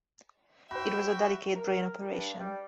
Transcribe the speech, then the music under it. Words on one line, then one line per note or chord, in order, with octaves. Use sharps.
It was a delicate brain operation.
F#4 C5 E5 G5 B5
A#4
G2
G3